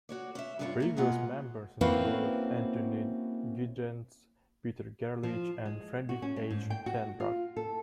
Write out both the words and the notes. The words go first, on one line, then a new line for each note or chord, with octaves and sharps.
Previous members include Anthony Giddens, Peter Gerlich and Friedrich H. Tenbruck.
F#4 C#5 D5
C#4 E5
G2 B2 D4 F4 B4 C#5
A3 A#3
B2 G#3 A#3 F4 F#5
A#3 C4 C#4 E4 F#4 B4
F3
G#3
F#4
C#4
G#3
G#2
G5
F#4
F4
A4